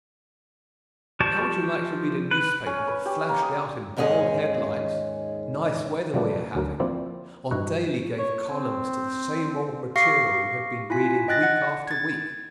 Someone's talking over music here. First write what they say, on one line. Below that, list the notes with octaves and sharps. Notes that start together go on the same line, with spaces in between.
How would you like to read a newspaper that flashed out in bold headlines "Nice Weather We Are Having," or daily gave columns to the same old material you had been reading week after week?
F3 G4 D5 A5 C#6
B4
C#4
B4
G4
A#3
D#6
D#2 G#2 C#4 G#4 D#5
C#3 F3 G3 A3 B3 D4
D2 F#3 A#4 A#5
F3 A#3 C4 E4 D5
G2 D#4 E4 F#4 F#5 A#5
C#5
C4
G4 F5 C#6 A#6 C7 C#7
E4 F4 G#5 B6
D#5 G5 F#6 A6 A#6
F#5
G#6 A6